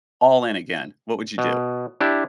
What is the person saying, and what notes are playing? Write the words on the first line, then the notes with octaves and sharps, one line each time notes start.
all in again? What would you do?
B2
D4 E4 G4